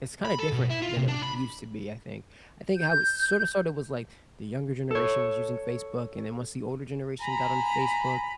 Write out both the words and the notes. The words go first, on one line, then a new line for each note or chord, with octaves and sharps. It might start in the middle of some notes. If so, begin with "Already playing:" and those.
it's kinda different than it used to be, I think I think how it sorta sorta was like the younger generation was using Facebook and then once the older generation got on Facebook,
B5
A4
B2
E4
F4
C3
D4
B5
G6
A4 C#5
G#5 A#5 B5